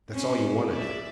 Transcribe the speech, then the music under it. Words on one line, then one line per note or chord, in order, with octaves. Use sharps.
"That's all you want to do."
C4 C#4
D5 E5